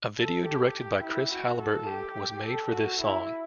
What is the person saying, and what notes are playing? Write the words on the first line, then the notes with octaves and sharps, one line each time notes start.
A video directed by Chris Halliburton was made for this song.
A4
G4
E4
F#4
A4
G4
A4
F#4
E4